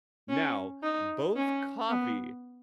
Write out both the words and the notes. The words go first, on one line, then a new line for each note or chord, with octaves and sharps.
Now, both coffee
C#4
D#4
C#4
B3